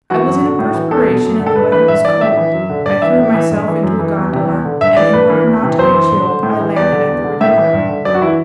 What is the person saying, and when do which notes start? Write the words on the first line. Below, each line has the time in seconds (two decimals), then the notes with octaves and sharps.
I was in a perspiration, and the weather was cold; I threw myself into a gondola, and in order not to get chilled I landed at the 'ridotto'.
0.10 E3 F#4
0.26 F#2
0.42 D3
0.59 A2
0.74 E3
0.91 E2 A4
1.07 B2
1.24 F#2
1.40 D3
1.46 A4
1.56 G2 B4
1.72 E3 B4
1.88 G2 E5
2.05 E3 D5
2.21 A2 E5
2.37 E3
2.53 F#2
2.70 D3
2.86 G2 D5
3.02 E3 E5
3.18 A2
3.34 E3
3.51 G2
3.68 E3
3.83 F#2
3.99 E3
4.17 E2
4.33 C3 E3
4.48 E2
4.65 D3
4.81 G2 E5
4.97 E3 D5
5.13 G2 B4
5.30 E3
5.46 E2
5.63 C3 E3
5.78 F#2 C5
5.94 E3
6.11 G2
6.27 D3
6.43 A2
6.60 E3
6.76 E2 D5
6.92 D3
7.09 E2
7.24 D3
7.41 A2 E5
7.58 E3
7.73 G2
7.89 D3
8.05 F#2 D5
8.14 F#4
8.22 E3 E4